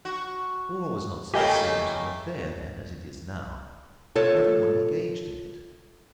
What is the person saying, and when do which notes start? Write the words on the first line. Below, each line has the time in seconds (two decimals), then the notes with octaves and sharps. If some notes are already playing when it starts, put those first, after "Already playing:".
War was not so serious an affair then as it is now, and everyone engaged in it.
0.05 F#4
1.34 C#3 A3 A#3 G4 A#4 D#5 G#5
4.15 F4 A4 C#5